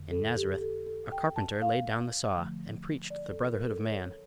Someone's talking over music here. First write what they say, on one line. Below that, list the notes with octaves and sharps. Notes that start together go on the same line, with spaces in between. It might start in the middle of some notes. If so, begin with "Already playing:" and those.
In Nazareth a carpenter laid down the saw and preached the brotherhood of man.
Already playing: F2 D3 A3
A4
G4
A4
A4
G5
A5
F5
D3 F3 A3
D5
A4
A#4
A4
C#5